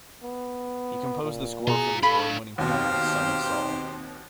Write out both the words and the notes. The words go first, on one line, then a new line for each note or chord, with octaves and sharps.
He composed the score for the award-winning film "Son of Saul".
B3
A#2
B2 F4 G#4 A#5
D4 A4 F5 B5
D#2 B2 C4 D#4 G4 C5 F5